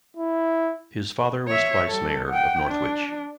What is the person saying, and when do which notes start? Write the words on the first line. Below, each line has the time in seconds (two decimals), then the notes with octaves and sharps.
His father was twice mayor of Northwich.
0.17 E4
1.48 C#5 E5
1.89 G3 A4
2.29 F#5 G5
2.66 D4